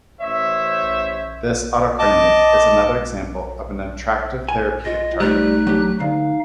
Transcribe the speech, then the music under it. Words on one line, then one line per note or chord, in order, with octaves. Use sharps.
This autocrine loop is another example of an attractive therapeutic target.
A1 C5 C#5 E5
D#5 A5 D6
G#5
F4 D#5
G3 A3 D#4 F#6
F#3 D4 G4
D2 D#4 F5